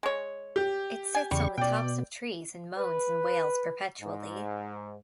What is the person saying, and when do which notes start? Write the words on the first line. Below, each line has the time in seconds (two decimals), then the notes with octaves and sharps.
It sits on the tops of trees and moans and wails perpetually.
0.03 G#3 C#5
0.56 G4
1.15 G#5
1.31 E2 C#3 G3 C#6
1.58 B2 D5 G5
2.77 B4
4.01 G#2